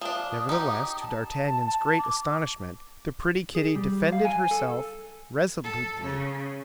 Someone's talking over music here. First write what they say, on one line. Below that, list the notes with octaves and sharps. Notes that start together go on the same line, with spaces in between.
Nevertheless, to d'Artagnan's great astonishment, the pretty Kitty defended herself resolutely.
F3 D4 D#6
D#4 G4
A5
D6
G#4
G3
F5
G#5
A4
A4
C#3